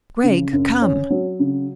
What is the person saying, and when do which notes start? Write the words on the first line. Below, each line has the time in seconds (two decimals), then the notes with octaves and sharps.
"Gregg, come."
0.23 C#3
0.53 F#2
0.82 C#4
1.10 F#3
1.39 C#3